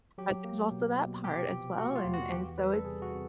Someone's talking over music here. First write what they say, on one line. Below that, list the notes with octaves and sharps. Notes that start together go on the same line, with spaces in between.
but there's also that part as well, and and so it's
F#3 G4
A#3
B2
B2
C3 G4
F3
A3 F#4
F4
E2
F#4
E3 G4
G3 B4
A4
C3 G#4
F#4
C3